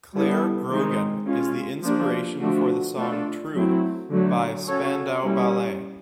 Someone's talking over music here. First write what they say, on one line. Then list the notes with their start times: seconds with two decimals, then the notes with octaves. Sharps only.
Clare Grogan is the inspiration for the song True by Spandau Ballet.
0.13 G3 B3 E4 A4
0.70 D#3 G#3 C4 D#4
1.27 G#3 C#4 F4
1.83 F3 A#3 D4 G4
2.40 D3 F3 A3 D4 F#4
2.96 A3 D4 F4 A4
3.54 F#3 A3 C4 E4
4.10 D3 F#3 A3
4.68 C#4 F#4 A4 C#5
5.23 G3 A#3 C#4 E4 G4